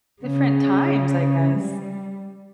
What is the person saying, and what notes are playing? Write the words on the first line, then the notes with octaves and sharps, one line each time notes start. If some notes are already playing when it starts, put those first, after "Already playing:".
Different times, I guess.
C#3
G3